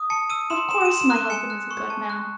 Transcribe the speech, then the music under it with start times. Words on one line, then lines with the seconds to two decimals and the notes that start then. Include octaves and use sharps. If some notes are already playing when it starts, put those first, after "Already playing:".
Of course, my husband is a good man.
Already playing: D#6
0.10 A5 C#7
0.30 E6 D#7
0.50 C6 E7
0.70 C6 E7
0.81 E7
0.85 C6 D#7
1.00 E7
1.10 F#6
1.16 D#7
1.30 G#5 C#7
1.50 F#6
1.71 C#6
1.90 A5
2.10 F#6